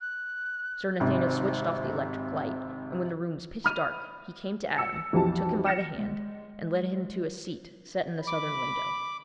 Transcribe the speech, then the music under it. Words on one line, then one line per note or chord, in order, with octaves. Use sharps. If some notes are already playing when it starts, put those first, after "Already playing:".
Sir Nathaniel switched off the electric light, and when the room was pitch dark, he came to Adam, took him by the hand, and led him to a seat set in the southern window.
F#6
G#1 C3
B5 F6 D#7
E6 C#7
B1 F2 E3 F4 G4 A5
F6 A#6 C#7 E7
G#3
B5 D6